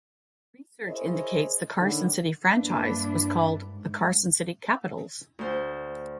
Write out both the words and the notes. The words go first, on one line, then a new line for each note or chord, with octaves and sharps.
Research indicates the Carson City franchise was called the Carson City "Capitals".
E4 G#4 A#4 C5 C#5 D#5
A2 D3 D#3
G2 G3 A#3 D4 E4 B4
G#2
D2 C5